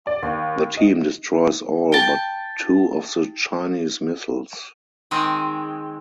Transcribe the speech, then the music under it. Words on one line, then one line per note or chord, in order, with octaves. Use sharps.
The team destroys all but two of the Chinese missiles.
D5
D#2
D#5
G5 A5
D#3 G#3 C4